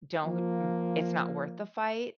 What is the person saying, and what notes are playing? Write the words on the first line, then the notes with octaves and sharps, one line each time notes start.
don't, n it's not worth the fight,
F3 A#3